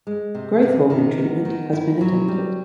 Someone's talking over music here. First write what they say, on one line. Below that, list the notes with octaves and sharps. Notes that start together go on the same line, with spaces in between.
Growth hormone treatment has been attempted.
G#3
C3
C3
D#3
B3
D#3
E4
F#3
G3